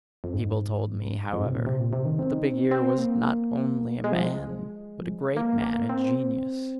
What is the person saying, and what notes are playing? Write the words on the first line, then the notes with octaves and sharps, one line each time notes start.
The people told me, however, that the big ear was not only a man, but a great man, a genius.
F2
G#2
F2
G#2
C3
A#2
C3
A#2
C3
D#3
C4
D#4
C4
C4
A#3
G#3
F3
G#3
F3
G#3
A#3
A#3
C4